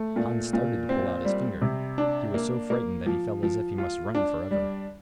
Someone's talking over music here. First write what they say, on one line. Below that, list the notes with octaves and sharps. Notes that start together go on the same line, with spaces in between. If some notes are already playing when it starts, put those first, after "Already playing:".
Hans started to pull out his finger; he was so frightened that he felt as if he must run for ever.
Already playing: A3
A#2
A#2
C4
G3
C3
D4
A#3
A#3
F3
F3
F4
D4
G3